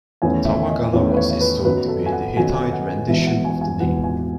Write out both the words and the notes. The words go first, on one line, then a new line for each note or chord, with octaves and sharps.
"Tawagalawas" is thought to be the Hittite rendition of the name.
E2 D#3 A3 C#4 G#5
E5
D#5
E2 D#3 A3 C#4 C#5
B4
C#5
C#5
B4
F#2 D#3 F#3 B3 D#4 B4
A4
G#5
F#5
F#2 D#3 F#3 B3 D#4 G#5
G#5
F#5
E1 E2 B2 E5
F#5
G#5
G#5
E1 E2 B2 F#5
G#5